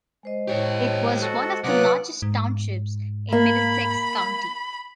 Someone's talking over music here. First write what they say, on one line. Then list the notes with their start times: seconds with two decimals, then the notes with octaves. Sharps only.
It was one of the largest townships in Middlesex County.
0.23 G#3 C5 D#5
0.48 A2 G4 C#5
1.22 F#4 A4 F#5
1.64 C3 F#3 F4 B4 F#5 D6 D#6 F#6
2.22 G#2
3.32 A#3 B5